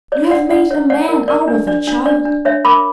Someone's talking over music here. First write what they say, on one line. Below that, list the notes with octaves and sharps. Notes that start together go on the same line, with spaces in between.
You have made a man out of a child.
C#5 D5
D4 D5 F#5
D4 D5 F#5
C#5
C#5 D5 F#5
A#4
A#4 D5
D4
D4 D5
D4
D4 D5
D4
D4 C#5 E5
A#4 B5 D6